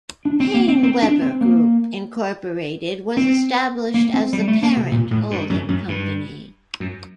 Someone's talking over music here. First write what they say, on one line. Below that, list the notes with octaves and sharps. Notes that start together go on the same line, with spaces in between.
PaineWebber Group Incorporated was established as the parent holding company.
D4
C4
A#3
C4
C4
D4
C4
A#3
C4
A#3
C4
G3
A3
A#3
C3
A#2
A2
G2
F#2
F#2
G2
F#2